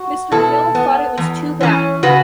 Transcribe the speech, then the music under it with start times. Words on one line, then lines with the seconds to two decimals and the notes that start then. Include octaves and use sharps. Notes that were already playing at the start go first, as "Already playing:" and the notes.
Mr. Gill thought it was too bad.
Already playing: F#4
0.31 B2 E4 A4
0.75 B3
1.17 E2
1.61 E3 C#4
2.03 C#3 F#4 B4